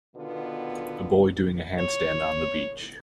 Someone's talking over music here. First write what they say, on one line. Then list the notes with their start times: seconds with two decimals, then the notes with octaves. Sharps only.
A boy doing a handstand on the beach.
0.16 B2 D3 D#3 B3 F4 B4
1.79 C#5